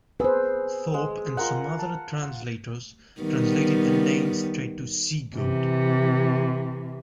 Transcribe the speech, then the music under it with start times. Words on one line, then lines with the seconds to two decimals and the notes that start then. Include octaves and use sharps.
Thorpe and some other translators translated the name straight to "she-goat".
0.20 G#4 B4 C5 E6
0.94 G#3
1.37 F4 A#4 F#5
1.79 A5
3.21 D#3 G3 B3
5.36 C3 E3